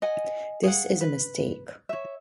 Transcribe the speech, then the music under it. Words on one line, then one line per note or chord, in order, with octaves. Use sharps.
This is a mistake.
D#5 F#5 G#5
G#4 F5 F#5
B4
C#5 E5